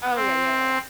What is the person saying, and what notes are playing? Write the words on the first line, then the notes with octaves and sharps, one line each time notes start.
Oh, yeah, yeah, yeah, yeah.
C4